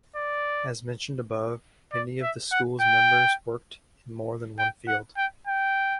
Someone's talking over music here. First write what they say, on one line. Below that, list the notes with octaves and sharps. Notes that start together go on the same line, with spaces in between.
As mentioned above, many of the school's members worked in more than one field.
D5
D5
E5
F#5
G5
G5
F#5
G5
G5